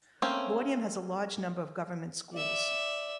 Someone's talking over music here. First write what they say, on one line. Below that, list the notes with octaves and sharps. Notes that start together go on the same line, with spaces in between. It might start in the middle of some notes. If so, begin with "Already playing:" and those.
Laudium has a large number of government schools.
A3 A#3 C4 C#4
D5 E5